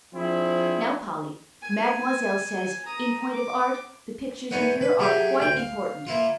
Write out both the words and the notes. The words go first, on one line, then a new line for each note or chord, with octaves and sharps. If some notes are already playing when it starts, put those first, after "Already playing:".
"Now, Polly, Mademoiselle says, in point of art, the pictures in here are quite important."
F3 C4 D4 E4 G#4
G#5
A#5 D#6
D6
E2 B3 D#4 C#5 F#5
B4 B5
F#3 A3 G4 G#4
D2 G5
F5
A#3 E4 F4